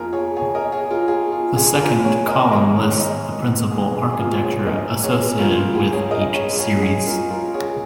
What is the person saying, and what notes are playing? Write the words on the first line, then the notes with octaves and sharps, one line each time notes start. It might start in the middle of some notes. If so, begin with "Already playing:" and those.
The second column lists the principal architecture associated with each series.
Already playing: F2 F3 A#3 D#4 F4 G#4 A#4
G#4 C#5
G#4 C#5
A#4 D#5
G#4 C#5
F4 A#4
G#4
F4
G#4
F4 A#4
G#4 C#5
A#4 D#5
G#2 D#3 G#3 D#4 A#4 D#5
G#4 C#5
C#5
A#4 D#5
G#4
G#4
G#4
F4 A#4
G#4 C#5
A#4 D#5
G#4 C#5
C#2 C#3 F3 F4 A#4
F4
G#4
G#4 C#5
A#4 D#5
G#4 C#5
G#4 C#5
G#4
F4 A#4
F4 A#4
G#4 C#5